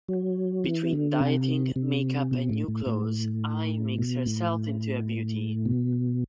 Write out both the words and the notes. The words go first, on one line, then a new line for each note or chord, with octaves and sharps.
Between dieting, makeup and new clothes, Ai makes herself into a beauty.
F#3
E3
D3
C3
C3
B2
A2
A2
A2
B2
A2
B2